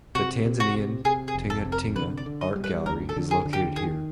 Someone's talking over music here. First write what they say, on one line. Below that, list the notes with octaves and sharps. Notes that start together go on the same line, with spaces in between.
The Tanzanian Tingatinga Art Gallery is located here.
C3 F#4
C3
F#4
C3
C3 G#4
G#4
F1
A4
C3
A#4
D3 B4
D5
D3
D#5
G3
B4
D2 A#4
A4
D3
G#4
D3
G4
D#3 G#4